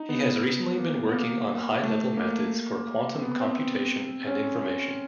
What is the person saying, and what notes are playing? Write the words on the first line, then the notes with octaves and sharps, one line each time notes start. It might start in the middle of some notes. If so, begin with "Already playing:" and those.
He has recently been working on high-level methods for quantum computation and information.
Already playing: D#4
B3
A#3
B3
A#3
A3
A#3
C4
B3
C4
C#4